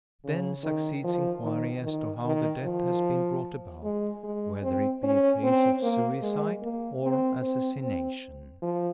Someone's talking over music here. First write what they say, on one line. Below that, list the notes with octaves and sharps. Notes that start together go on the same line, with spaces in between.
Then succeeds inquiry as to how the death has been brought about; whether it be a case of suicide or assassination?
C#3
D#3
F3
D#3
D#3
D#3
F3
G#3
G#3
C4
C#4
C4
A#3
G#3
A#3
C4
C4
C4
F3